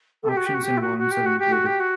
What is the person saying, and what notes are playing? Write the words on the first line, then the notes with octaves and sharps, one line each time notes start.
Options and warrants are included.
A4
G4
F#4
G4
F#4
G4
E4
F#4
F#4
G4
F#4
G4
F#4
G4
F#4